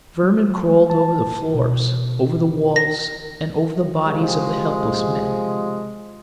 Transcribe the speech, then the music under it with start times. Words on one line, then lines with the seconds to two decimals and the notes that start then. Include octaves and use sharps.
Vermin crawled over the floors, over the walls and over the bodies of the helpless men.
0.23 F#3
0.90 A5
1.55 B2
2.76 A#6
4.05 C3 F3 G#3